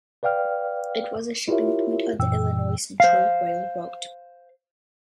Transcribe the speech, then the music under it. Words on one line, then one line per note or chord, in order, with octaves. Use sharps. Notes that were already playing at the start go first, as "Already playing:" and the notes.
It was a shipping point on the Illinois Central Railroad.
B4 D5 F5 G5 F6
E4 F4 G4 A#4 C#5 E5
F#2 A#2 E3 G5 E6
C5 F5